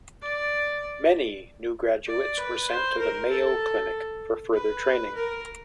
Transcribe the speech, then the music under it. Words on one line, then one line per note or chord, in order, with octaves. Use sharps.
Many new graduates were sent to the Mayo Clinic for further training.
D5
D5
B4
C5
A#4
A4
B4
A#4